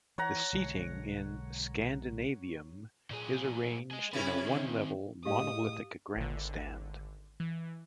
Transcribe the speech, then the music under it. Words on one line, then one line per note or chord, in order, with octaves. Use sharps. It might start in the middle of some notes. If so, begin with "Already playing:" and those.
The seating in Scandinavium is arranged in a one-level monolithic grandstand.
E3 C#5 F#5 A#5
B1 D3 G#3
A#2 G#4
G#4 D#5
C3 C#4 E4 B4
D#3 C4
A2 G4 G#4 D#5 F5 D#6
G#1 D3
E3